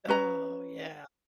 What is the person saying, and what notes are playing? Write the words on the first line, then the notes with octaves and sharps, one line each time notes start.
Oh, yeah.
C#4 B4 A#5